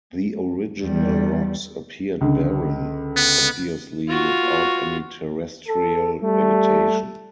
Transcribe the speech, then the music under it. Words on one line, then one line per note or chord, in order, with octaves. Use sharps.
The original rocks appeared barren, obviously without any terrestrial vegetation.
E2 G3
C#2 D3
B3
F4 F#4
A4
G3 A3